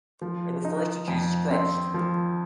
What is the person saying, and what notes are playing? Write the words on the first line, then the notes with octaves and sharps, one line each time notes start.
It refers to Jesus Christ.
F3
D#4
F2
C4
F3